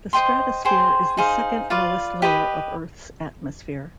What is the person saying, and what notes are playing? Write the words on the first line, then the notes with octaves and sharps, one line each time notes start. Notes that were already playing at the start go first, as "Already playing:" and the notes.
The stratosphere is the second-lowest layer of Earth's atmosphere.
C5 D#5 G5 C6
G#4 C5 G5 C6
D#4 G#4 C5 F5
F4 B4 D5 F5
G4 B4 D#5 B5